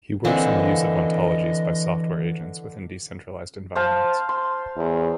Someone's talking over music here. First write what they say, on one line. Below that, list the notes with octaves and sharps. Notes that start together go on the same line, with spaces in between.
He works on the use of ontologies by Software Agents within decentralised environments.
D3 E3 A#3 C4 D#5
C5 F5 A5
C6
E2